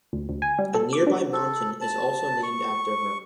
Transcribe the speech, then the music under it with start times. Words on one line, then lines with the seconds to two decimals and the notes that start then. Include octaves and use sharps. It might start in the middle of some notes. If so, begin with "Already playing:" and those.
A nearby mountain is also named after her.
0.13 D2
0.29 D2
0.42 G#5
0.59 G3
0.74 A4
0.93 D6
1.07 D4
1.33 A4
1.81 A5
2.43 C#6